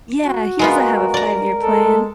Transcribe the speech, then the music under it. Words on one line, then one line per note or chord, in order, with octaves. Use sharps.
Yeah, he doesn't have a five-year-plan.
F#4
G#3 B3 F4 A#4
D5 A#5
G#3 A4